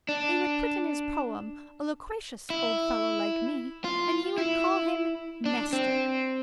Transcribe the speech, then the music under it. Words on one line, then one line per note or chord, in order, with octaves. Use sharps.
He would put in his poem, a loquacious old fellow, like me, and he would call him Nestor.
D4
E4
F4
E4
D4
C4